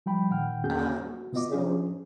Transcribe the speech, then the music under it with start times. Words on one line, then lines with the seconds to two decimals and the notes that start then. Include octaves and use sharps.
Um, so,
0.06 F3 G3 G5 B5
0.30 A#2 D#3 F#5 G5 F6
0.64 E2 A#3 C#4 F#4 G#4 G6
0.98 F#4
1.33 C3 B3 F4 D#5 D6
1.52 F3 C#4 D4 F4 G4 G#4